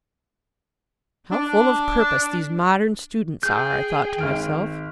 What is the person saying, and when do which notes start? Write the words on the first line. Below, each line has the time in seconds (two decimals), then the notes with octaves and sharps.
How full of purpose these modern students are, I thought to myself.
1.32 D4
3.43 G#4 G5 G6
4.18 G#1 F6 D7